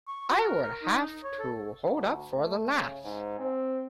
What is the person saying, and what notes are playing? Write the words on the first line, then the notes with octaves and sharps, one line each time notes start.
I would have to hold up for the laugh.
C#6
F#4
A#4
A#4
D#4
C#5
A4
D2
A3
C#3
G#2
C4